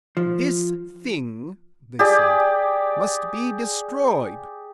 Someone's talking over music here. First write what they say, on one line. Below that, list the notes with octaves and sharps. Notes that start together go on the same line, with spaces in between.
"This thing," they said, "must be destroyed."
F3
G4 G#4 D5